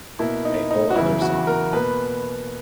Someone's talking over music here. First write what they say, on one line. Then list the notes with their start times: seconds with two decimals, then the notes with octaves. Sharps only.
A whole other song.
0.19 B2 A#3 E4
0.45 D#4
0.71 D#4
0.90 F#4
0.96 E2 C#3 F#3 B3 E4
1.22 F#4
1.47 A#4
1.73 B2 A#3 B4